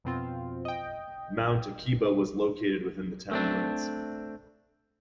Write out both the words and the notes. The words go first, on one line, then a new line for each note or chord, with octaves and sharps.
Mount Akiba was located within the town limits.
F2 B2 C4 F4
D#5 G5
A3 C4 D4